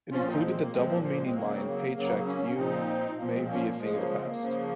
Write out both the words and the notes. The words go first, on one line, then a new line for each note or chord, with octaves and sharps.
It included the double-meaning line Paycheck you may be a thing of the past.
A#2 F3 C#4 F4
C4 D#4
G#3 C4
A#3
A#2 F3 G#3 C4
A#3
A#3
G#3
C4
C#3 F#3 A#3
C4
A#3
C#3 F#3 A#3
A#3 C#4
A#2 F3 C4 D#4
A#2 F3 A#3
A#3
G#3 C4
A#3 C#4
A#3
C#3 F3 G#3
A#3
G#3
C4
A#3
C#3 F3